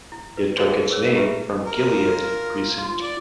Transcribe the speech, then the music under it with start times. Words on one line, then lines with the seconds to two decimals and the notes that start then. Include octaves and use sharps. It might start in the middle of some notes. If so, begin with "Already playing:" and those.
It took its name from Gilead Precinct.
0.12 E4
0.37 B4
0.57 F#4 G#4 C5 D#5 F5 G5
0.72 G#4 C5 F5
0.90 G#4 A#4 B4 C#5
1.15 E4 F4 G4 G#4 B4 E5
1.67 A#4
1.96 F4
2.78 F4
3.02 D5